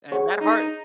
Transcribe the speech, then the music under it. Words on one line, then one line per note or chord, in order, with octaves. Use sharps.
And that hard
G#4 C#5 F#5 C#6
D#4